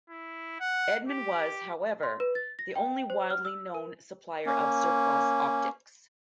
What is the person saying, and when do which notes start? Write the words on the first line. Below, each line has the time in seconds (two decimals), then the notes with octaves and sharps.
Edmund was, however, the only widely known supplier of surplus optics.
0.10 E4
0.60 F#5
1.08 G4
2.03 C6
2.20 B4
2.35 A6
2.59 A#6
2.76 G5
3.10 C5
3.30 F6
3.45 E6
3.74 A#4
4.46 A#3 C#4